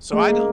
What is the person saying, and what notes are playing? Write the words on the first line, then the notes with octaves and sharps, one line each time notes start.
So, I don't
G#3
A#3